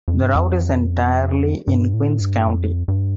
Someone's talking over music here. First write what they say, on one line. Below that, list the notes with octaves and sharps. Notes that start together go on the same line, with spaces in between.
The route is entirely in Queens County.
F2
G2
F2
G2
A2
G2
F2
G2